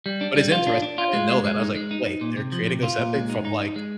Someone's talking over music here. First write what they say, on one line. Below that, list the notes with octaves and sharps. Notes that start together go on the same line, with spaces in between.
But it's interesting. I didn't know that. I was like, "Wait, they're creating Ozempic from, like,
G3
D4
G3
F4
D4
D4
F4
G#3
G#3
G#3
D#4
G#3
D#4
D#4
A#2
C3
F3
C3
F4
A#2
G#3
D#4
D#4
D#4
G#3